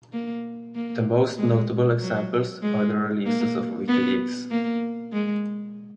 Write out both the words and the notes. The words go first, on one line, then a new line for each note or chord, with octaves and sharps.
The most notable examples are the releases of Wikileaks.
A#3
A#3
G#3
F#3
G#3
A#3
B3
A#3
G#3